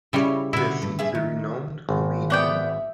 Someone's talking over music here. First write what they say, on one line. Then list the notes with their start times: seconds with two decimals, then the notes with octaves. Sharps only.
Jessie is a renowned comedian.
0.13 C#3 G3 E4 C#5
0.53 B2 D3 E4
0.82 G2
0.99 G2 G#4 E5
1.15 D#3
1.89 G#1
2.30 B3 D5 E5 G5